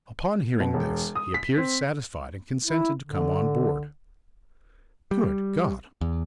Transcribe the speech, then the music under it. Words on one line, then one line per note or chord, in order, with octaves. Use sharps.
Upon hearing this he appeared satisfied and consented to come on board. Good God!
B2
E1
D#6
B6
C4
E4
D3
G3
E2